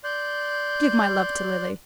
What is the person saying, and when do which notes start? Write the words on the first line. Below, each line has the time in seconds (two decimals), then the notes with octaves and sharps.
Give my love to Lily.
0.04 D5 C6 F#6 G6